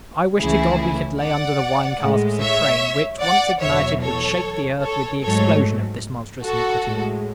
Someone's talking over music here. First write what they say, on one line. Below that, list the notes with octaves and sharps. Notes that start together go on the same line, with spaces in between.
I wish to God we could lay under the wine-casks a train, which, once ignited, would shake the earth with the explosion of this monstrous iniquity.
C#2 C#3 E3 A3 E4 G#4
D5 F#5
A2 G#3
C#5 E5
D5 F#5
E2 B2 F#3 C#5 E5
A4 C#5
A4 C#5
G#2 F#3 A3 A4 C#5
F#4 A4
A2 G#3